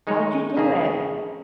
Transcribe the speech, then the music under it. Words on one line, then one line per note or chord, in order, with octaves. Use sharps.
How'd you do it?
D#3 G#3 D#4 C#5
A1 F2 C#3 A#3 D4 G#4